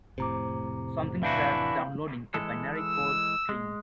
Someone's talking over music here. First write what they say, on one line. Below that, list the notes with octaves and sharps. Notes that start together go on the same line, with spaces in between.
Something starts downloading: a binary code string.
F1 A2 C3 C5 A#5 D6
E3 D4 E4 F#4 F5 G6
E3 G#3 A4
E6
G#3